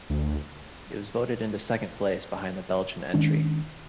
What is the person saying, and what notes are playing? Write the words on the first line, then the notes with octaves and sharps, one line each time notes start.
It was voted into second place behind the Belgian entry.
D2
D#3 G#3 C#4 D4